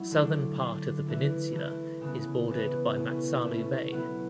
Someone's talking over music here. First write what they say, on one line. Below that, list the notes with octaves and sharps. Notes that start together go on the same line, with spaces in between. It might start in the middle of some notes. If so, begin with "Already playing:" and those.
Southern part of the peninsula is bordered by Matsalu Bay.
Already playing: F#3 E4
D3 A3 D4
D3 A3 D4
E3 A3 E4
E3 A3 E4
C#3 E3 B3
C#3 E3 B3
B2 A3 C#4 E4
B2 A3 C#4 E4
F#3 B3 E4